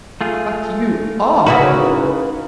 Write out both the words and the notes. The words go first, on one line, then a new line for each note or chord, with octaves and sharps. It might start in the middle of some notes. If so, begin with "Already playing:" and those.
But you are Bonaparte.
A3 F4 G#4
C#3 D#4 E4 F#4 A#4 B4 B5